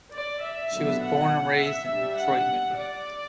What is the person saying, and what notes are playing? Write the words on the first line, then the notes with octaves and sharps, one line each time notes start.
She was born and raised in Detroit, Michigan.
D5
E5
D3 F#3 B3 D4
F#5
E5
G3 D4
F#5
D5